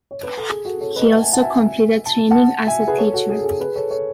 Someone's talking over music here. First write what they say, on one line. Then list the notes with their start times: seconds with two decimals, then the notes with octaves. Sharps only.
He also completed training as a teacher.
0.11 C#5
0.23 B4
0.37 A4
0.50 G#4
0.65 F#4 A4
0.81 A4 C#5
0.96 B4 D#5
1.12 F#5 A5
1.22 E5 G#5
1.33 F#5 A5
1.43 E5 G#5
2.05 A5
2.31 F#5 A5
2.67 E5 G#5
2.88 G#4 B4
2.98 A4 C#5
3.13 F#4 A4
3.29 G#4
3.39 A4
3.44 G#4
3.60 G#4 B4
3.76 A4 C#5
3.91 A4 C#5